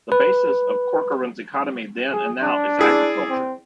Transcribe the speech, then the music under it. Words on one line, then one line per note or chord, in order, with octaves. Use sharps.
The basis of Corcoran's economy then and now is agriculture.
B4
G#4
D4
E4 G#4 D5
C4